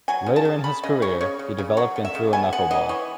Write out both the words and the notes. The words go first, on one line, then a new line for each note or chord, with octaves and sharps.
Later in his career, he developed and threw a knuckleball.
F#3 G#5
C#3
A5
C#3
C#3 B5
C#3 D#5
C#3 C#5
C#3 C#5
C#3
C#3
F#3 C#5
A3
E5
C#3
B3 G#5
B3 F#5
E3 D#5
E3 C#5